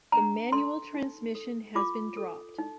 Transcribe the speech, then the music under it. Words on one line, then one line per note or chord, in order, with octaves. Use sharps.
The manual transmission has been dropped.
D4 A#5
A4 C6
D#4
A4
F4 D6
A4
D#4